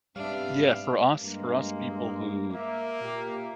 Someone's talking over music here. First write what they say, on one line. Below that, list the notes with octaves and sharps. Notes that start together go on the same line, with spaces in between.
Yeah, for us for us people who
G#2 C3 G3 B3 D4 E5 F5
G2 G#3 A#3
A#3 E5
A#2 G4 E5